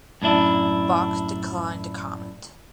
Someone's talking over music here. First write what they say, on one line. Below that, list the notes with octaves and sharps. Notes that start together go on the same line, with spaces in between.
Bach declined to comment.
F#2 A2 D4 E4